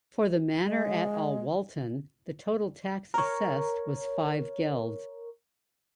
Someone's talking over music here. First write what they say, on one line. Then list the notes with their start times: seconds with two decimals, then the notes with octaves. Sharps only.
For the manor at Alwalton the total tax assessed was five geld.
0.62 G#3
3.14 A#4 C#5